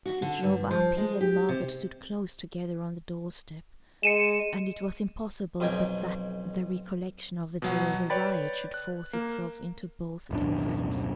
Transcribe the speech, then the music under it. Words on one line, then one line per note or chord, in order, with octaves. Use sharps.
As it drove up, he and Margaret stood close together on the door-step, and it was impossible but that the recollection of the day of the riot should force itself into both their minds.
F#4
D3
G2
F3
G#3
G4
C3
G#3 C#7 D#7 E7
B1 F2 D#5 G5 G#5
B2 F#3 F#5
B4 C#5 D5 G5 B5 A6
F#6
A#3
D1 F#2 B2 D4